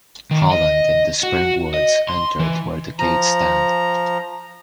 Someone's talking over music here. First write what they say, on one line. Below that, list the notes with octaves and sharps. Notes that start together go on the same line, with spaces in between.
Holland in the Spring Woods, entered where the gates stand.
D#3
D#5
F#4
D#5
C6
E3
F3 A#5